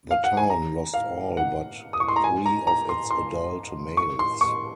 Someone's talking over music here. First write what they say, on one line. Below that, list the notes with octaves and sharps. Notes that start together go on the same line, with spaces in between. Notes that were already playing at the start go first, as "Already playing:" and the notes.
The town lost all but three of its adult males.
F5
F#5
G#5
A#5
F5
F#5
D#6
C#6
C6
A#5
G#5
A#5
A#5
C6
C6
C#6
C6
C#6